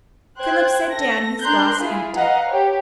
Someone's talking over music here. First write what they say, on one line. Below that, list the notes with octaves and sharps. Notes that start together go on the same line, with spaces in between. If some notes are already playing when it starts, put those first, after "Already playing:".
Philip set down his glass empty.
C5 G5 F#6 G#6
A4 A#6
D4 A#4 A#5 C6 F#6 G6
E4 F4 G#4
B4 D#5 F5 F#5 A#5
G4 C#5